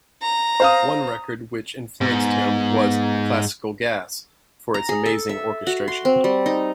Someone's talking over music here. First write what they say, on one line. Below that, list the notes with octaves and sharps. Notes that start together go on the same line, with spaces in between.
One record which influenced him was "Classical Gas" for its amazing orchestration.
A#5
C5 F5 D#6
G#2 B3
A#5
G#4
A4
E5
F#4
C6
C4
G3
D#4